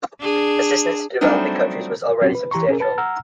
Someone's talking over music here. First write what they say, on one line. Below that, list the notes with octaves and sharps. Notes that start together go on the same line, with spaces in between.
Assistance to developing countries was already substantial.
D4 G#4
F#3 G3 A3 C4 D4 D#4
F#3 C4 C#4 F#4 G4
B4
E3 G4 A#5 C6 C#6
C#4 G#4 A#4
B4 A5 A6
F#5 A#5 E6 F6